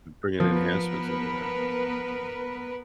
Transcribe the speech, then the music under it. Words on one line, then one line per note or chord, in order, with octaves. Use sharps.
bringing enhancements into that.
F3 B3 A#4 B4